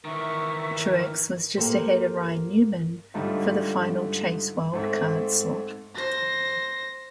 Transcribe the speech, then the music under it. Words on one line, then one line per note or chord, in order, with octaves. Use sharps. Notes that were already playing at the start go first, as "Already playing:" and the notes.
Truex was just ahead of Ryan Newman for the final Chase wildcard slot.
D#3 E3 A#4 E5 C#6
A#3 G4 A4 C5
G#2 D3 G3 A3 D#4 F4
G#2 A3 C4
C5 A#6